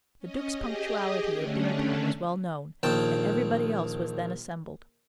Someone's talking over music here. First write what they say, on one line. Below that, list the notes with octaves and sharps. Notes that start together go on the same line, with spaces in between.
The Duke's punctuality at dinner-time was well known, and everybody else was then assembled.
C#4 D#5
G4 G#4 D#5
D3 A3 C#4 D4
A#1 D#2 G5 A5